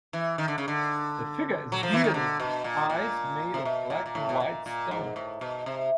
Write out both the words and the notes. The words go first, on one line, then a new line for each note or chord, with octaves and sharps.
The figure is bearded with eyes made of black and white stone.
E3
D#3
D3
C#3
D3
F#3
F3
E3
D#3
D3
B2
A#2
A#2
C3
B2
A#2
A#2
A2
B2
A#2
A#2
G#2
A2
B2
C3